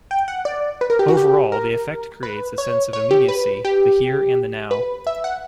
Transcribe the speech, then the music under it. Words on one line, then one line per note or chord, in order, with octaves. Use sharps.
Overall, the effect creates a sense of immediacy, the here and the now.
G5
F#5
D5
B4
A#4
G4
F#4
G4
A#4
B4
C#5
C#5
G4
B4
G4
B4
E5
F#5